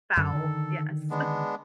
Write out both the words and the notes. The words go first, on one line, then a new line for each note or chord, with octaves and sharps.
Foul, yes.
F#2 D3 A4
D3 D#3
G#3 B3 D4